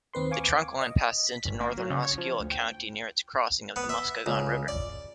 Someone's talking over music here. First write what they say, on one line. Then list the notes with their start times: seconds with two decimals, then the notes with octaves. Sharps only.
The trunkline passes into northern Osceola County near its crossing of the Muskegon River.
0.14 D#2 C4 B4 C6
0.31 F5 G#5 C#6 D6
0.81 D#5
1.27 B6
1.45 G1
1.61 A#3
1.77 F#3
1.90 C#3
2.02 C#5
2.18 F3
2.40 D2
2.51 G5
3.76 B3
3.89 E5
4.26 C#2
4.68 D5